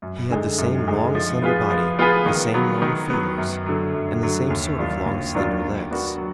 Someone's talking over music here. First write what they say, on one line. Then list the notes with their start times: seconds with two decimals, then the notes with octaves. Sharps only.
He had the same long, slender body, the same long feelers, and the same sort of long, slender legs.
0.02 F#2
0.30 D3 G#3 D#4
0.58 F#2
0.87 D3 G#3 D#4
1.15 F3
1.42 B3 F4 G#4 B4
1.70 F3
1.99 B3 F4 G#4 B4
2.26 D#3
2.54 F#3 B3
2.82 D#3
3.10 F#3 B3
3.38 F#2
3.66 D3 F#3
3.94 F#2
4.23 D3 F#3
4.50 D#2
4.78 D#3 F#3 D4 F4
5.06 D#2
5.35 D#3 F#3 D4 F4
5.62 F#3
5.91 B3 D4 F#4 A#4
6.18 F#3